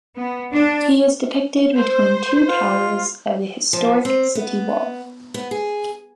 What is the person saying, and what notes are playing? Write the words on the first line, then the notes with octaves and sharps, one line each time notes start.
He is depicted between two towers of the historic city wall.
B3
D4
C5
F4
F3
C4
B3
B3
G#4